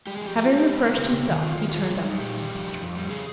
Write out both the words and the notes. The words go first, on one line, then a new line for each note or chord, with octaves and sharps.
Having refreshed himself he turned up the steep street.
G#3 G4
G#4
F3
G4
F3 G4
F4
G#3 G4
G#3
C4
C#3 G4
C#3
D#3
F4
D#3 F4
G4
F4
G#4
G3
D#4
A#2 G4
G3
F2
F2
F2
G3
C#3 G#4